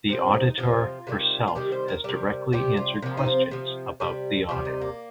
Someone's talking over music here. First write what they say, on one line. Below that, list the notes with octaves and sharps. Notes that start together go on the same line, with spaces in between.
The auditor herself has directly answered questions about the audit.
C3 F3 C4
D#4
C3 F3 F4
C3 D#3 G3
F4
C3 D#3 G3 G4
C5
A#4
C3 G3
C3 G3 G4
F4
C3 F3 A#3
D#4
C4
C3 F3
C3 G3
C3 G3 F4
D#4
A#3